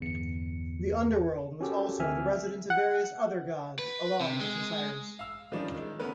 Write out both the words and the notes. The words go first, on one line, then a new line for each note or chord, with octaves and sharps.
The underworld was also the residence of various other gods along with Osiris.
G1 E2 C#7
C#4 F#4 G4 A4 A#4
D2 D3 C4 E5 G#5 F6
F#5
B4
C3
G#3
F5 E6
D#3 F3 G3 C#4 D4
D#3 G#3
C#3 A3 B3 C#4 A#4 B4